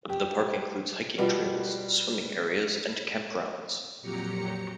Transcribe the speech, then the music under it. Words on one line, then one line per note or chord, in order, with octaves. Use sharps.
The park includes hiking trails, swimming areas and campgrounds.
G4
B2 F3 G3 B3
F2 A#2 F#3 G4 A#5 C#7